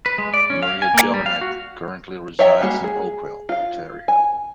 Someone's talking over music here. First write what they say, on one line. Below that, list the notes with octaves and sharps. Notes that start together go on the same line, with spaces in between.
Maria Jelinek currently resides in Oakville, Ontario.
B4
G#3
D5
C#4
F5
G#5
A#3
G3
F5
F#4
C#5 D#5 E5 G5 A#5
G3 G#3 A#3 F#4 G4
G#4
F4 F5
G#5